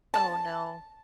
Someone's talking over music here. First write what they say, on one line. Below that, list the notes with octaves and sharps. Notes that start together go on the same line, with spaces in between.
Oh, no.
A5